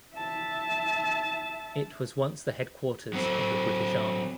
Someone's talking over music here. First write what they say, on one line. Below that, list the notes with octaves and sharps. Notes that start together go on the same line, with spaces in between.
It was once the Headquarters of the British Army.
E5 A5
F#3 C4